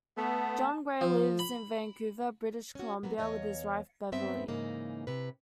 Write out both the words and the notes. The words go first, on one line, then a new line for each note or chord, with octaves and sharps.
John Gray lives in Vancouver, British Columbia with his wife Beverlee.
A3 B3 A5
F3
B5
C#4 F#4
F#3 A#3 B3
E2 C3 C#5 D#5 F5
G2 B3 C4 B4 E5
G#2 C#3 E3 A#3 D#4
C3 B4